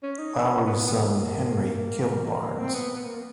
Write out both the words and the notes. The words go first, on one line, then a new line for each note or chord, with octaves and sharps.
Lowrey's son Henry killed Barnes.
C#4
D#4
D4
C#4
B3
B3
A#3
C4
B3
B3
A#3